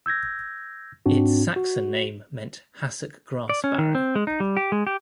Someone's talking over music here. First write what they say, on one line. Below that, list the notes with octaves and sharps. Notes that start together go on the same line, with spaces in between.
Its Saxon name meant hassock grass barrow.
E6 G6 G#6 A#6
G#2 C4 D4 F#4
F#4
D5
C#4
D#3
C4
G#3
D#4
G3
G4
G#3
G4